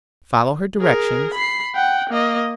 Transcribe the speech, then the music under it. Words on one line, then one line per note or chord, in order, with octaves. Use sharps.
Follow her directions.
G#4 A#4
B5 C7
F#5 G5
A#3 D#5